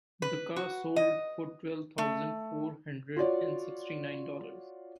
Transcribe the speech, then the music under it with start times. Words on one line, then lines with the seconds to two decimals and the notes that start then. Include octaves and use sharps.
The car sold for twelve thousand four hundred and sixty nine dollars.
0.22 B4
0.56 F#4
0.96 D#5
1.98 A3
3.16 F4 F#4 C#5 D5